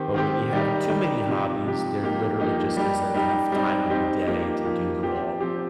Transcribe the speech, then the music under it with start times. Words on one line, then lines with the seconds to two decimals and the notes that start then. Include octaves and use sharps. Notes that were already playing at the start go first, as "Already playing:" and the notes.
But when you have too many hobbies, there literally just isn't enough time in the day to do them all.
Already playing: D#3 C4 G4
0.14 D#3 C4 G4
0.52 D#3 G3 D#4 G4
0.89 D#3 G3 D#4 G4
1.27 C3 F3 D#4 G4
1.64 C3 F3 D#4 G4
2.02 F3 A#3 D#4 G4
2.40 F3 A#3 D#4 G4
2.77 G3 D#4 G4
3.14 G3 D#4 G4
3.52 G3 C4 D#4 G4
3.90 G3 C4 D#4 G4
4.27 F3 A#3 D#4 G4
4.65 F3 A#3 D#4 G4
5.03 F3 C4 G4
5.40 F3 C4 G4